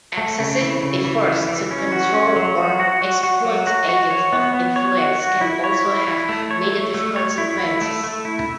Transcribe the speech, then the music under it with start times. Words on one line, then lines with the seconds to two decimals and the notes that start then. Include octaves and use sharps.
Excessive efforts to control or exploit agents of influence can also have negative consequences.
0.18 A3
0.39 C#3
0.61 E3
0.83 C#3
1.05 E3
1.27 E3
1.48 E3
1.71 C#4
1.92 F#4
2.14 C#4
2.36 F#3
2.58 F#4
2.80 F#4
3.01 F#4
3.23 F#4
3.45 F#3
3.67 F#4
3.89 F#4
4.11 C#5
4.33 B3
4.54 B3
4.76 C#5
4.98 F#4
5.20 F#4
5.41 E4
5.64 C#5
5.86 E4
6.07 E4
6.29 A3
6.51 C#5
6.72 A3
6.94 A3
7.16 C#5
7.38 E4
7.60 E4
7.81 A3
8.04 A3
8.25 E4